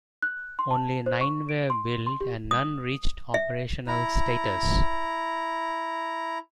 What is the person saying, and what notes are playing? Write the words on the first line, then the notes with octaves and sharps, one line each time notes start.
Only nine were built and none reached operational status.
F#6
C6
A5
C5
C#6
D7
C6
C6
G4
D#6
E5
E4 A#5